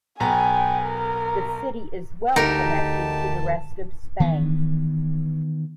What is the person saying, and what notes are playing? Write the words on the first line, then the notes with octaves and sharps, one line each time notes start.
The city is well connected to the rest of Spain.
B1 B3 G5 G#5 A#5
A#4
D2 D#4 G4 A#4 A5
D#3 E3 B3